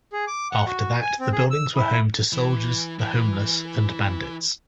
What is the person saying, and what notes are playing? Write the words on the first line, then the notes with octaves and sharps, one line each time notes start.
After that, the buildings were home to soldiers, the homeless, and bandits.
G#4
D6
F#5
F#4
G#5
C4
G#4
E6
E4
E3
E3